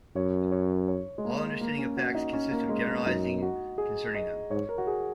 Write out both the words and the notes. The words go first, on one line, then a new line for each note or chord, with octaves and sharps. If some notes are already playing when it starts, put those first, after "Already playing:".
All understanding of facts consists in generalizing concerning them.
F#2 C#5
C#5
C#5
G#3
A#3
A#3
C#4
F#4
D#4
C#4
A#3
G#3
A#3
F#2 D#4
F#4
G#4
D#5
G#2 C#5
A#4
F#4
G#4